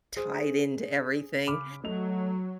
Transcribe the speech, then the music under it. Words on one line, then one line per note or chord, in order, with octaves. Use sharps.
tied into everything.
G#4 C5
C#3 B5 D6 F6
F#3 A3 D#5 F7